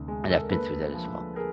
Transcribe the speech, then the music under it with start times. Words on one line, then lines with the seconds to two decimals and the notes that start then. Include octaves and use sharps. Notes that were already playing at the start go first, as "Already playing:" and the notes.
and I've been through that as well,
Already playing: D2 C3 E3
0.08 G#3
0.30 A4
0.41 A#4
0.51 A#3 A4 B4
0.94 F3
1.36 G#4 A#4